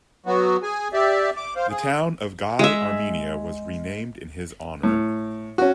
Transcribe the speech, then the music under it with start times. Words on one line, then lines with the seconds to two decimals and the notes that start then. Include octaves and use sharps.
The town of Gai, Armenia was renamed in his honor.
0.26 F#3 B3 F#4
0.63 G#4 G#5
0.93 G4 D5 E5
1.37 D6
1.56 C5 F5
1.70 G#4
2.59 G#3 E5
4.83 A2
5.58 C#4 F#4